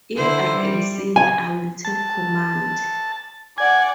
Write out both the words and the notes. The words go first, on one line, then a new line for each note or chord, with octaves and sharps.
If I am senior, I will take command.
D3 E4 C5
G3
G#5
A5
D5 F#5 G#5